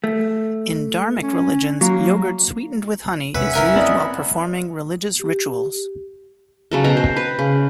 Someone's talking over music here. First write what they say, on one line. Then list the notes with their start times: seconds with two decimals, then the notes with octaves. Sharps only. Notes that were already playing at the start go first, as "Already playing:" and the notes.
In Dharmic religions, yogurt sweetened with honey is used while performing religious rituals.
0.04 A3
1.23 C#4
1.81 F#3 A#3
3.35 E2 C3 G#3 C#4 B4 E5 F#5
3.53 E4 A#4 G#5
3.76 B3 C4 D5 D#5
5.19 G4
6.71 C#3 F#3 A4
6.84 B2 C4 G5 A#5
6.97 C5
7.16 B4
7.39 C#3